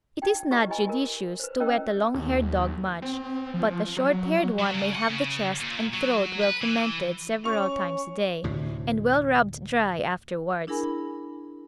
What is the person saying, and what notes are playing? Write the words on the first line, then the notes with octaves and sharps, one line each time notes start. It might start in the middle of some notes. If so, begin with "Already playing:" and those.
It is not judicious to wet a long-haired dog much, but a short-haired one may have the chest and throat well fomented several times a day, and well rubbed dry afterwards.
D#4 F#4 G5
E4 G4 B4 D#5 C#6
E4 D#5 G#5 B5
E4 A#4
B4 C5
C#4 E4 A#4 D#5 G5 E6
D#2
C4
F3
F#3
F#3
C#3
F#5
C#3
A#2
F#3
B4
E3
C#4 C#6 F7
D2 A2 C3
D4 E4 G#4 A#4 G#5 B5